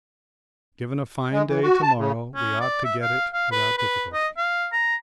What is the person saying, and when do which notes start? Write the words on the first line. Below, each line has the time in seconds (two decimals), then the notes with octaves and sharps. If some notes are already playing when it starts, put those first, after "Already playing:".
Given a fine day to-morrow we ought to get it without difficulty.
1.32 G#3
1.48 E3
1.63 F#4
1.83 A5
1.98 C#3
2.35 C#4
2.61 D5
2.84 E5
3.02 F5
3.34 F5
3.52 B4
3.78 B4
4.13 D#5
4.37 F5
4.73 A#5